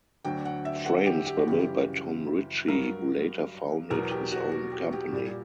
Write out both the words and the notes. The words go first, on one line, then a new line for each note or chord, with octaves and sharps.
Frames were built by Tom Ritchey, who later founded his own company.
D2 D3 F#3 G5
F#5
E5
F#5
G4
G4
F#4
F#2 C#3 E3 G3 G4
G2 F#3 A#4
E2 B2 F#3 A#4
G4
F#4
F#4
G4
G4
A#2 G3